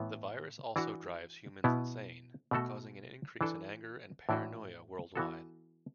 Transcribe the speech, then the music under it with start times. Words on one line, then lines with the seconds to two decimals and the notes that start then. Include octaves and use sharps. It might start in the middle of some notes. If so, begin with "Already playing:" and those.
The virus also drives humans insane, causing an increase in anger and paranoia worldwide.
Already playing: A2 E3 B3
0.76 E3 D4 F#4
1.64 B2 B3 E4
2.51 B2 A3 F#4 A4
3.41 E3 D4 A4
4.29 A2 E3 D4 F#4
5.15 E3 B3 F#4 A4